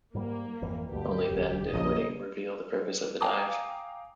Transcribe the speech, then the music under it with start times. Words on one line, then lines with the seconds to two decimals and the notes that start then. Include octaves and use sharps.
Only then did Whiting reveal the purpose of the dive.
0.15 G#2 G3 A#3
0.62 G#1 F2 E3
0.91 D2 G2 G4
1.29 E1 D2
1.73 A#1 F2 C#3 A#3 D#5
3.20 F5 G5 G#5 A#5 D6 D#6